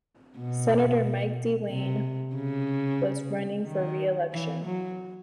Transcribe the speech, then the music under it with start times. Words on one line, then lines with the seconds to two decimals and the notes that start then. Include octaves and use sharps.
Senator Mike DeWine was running for re-election.
0.38 B2
1.70 C3
2.35 C#3
3.67 D#3
4.33 E3
4.65 F#3